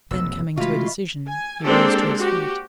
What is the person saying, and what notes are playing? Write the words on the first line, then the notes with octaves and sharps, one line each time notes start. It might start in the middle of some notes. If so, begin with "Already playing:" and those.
Then coming to a decision, he rose to his feet.
F1 B1 F#2 E6
C3 E3 G#3 A3 F4 F#4 B4 F5
G#5
G#3 A#3 C4 D4 G4 A4
F#4 G4